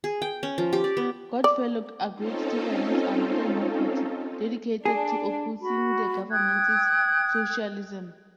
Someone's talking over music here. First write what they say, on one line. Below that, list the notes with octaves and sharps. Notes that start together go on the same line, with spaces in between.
Goodfellow agreed to finance another new party, dedicated to opposing the government's "socialism".
G#4
G5
C#4
F3
G4
D5
B3
D5
C4 C#4 D#4 F4 A4
D4 G#4
F#4 B5
G5 D#6 F#6 G#6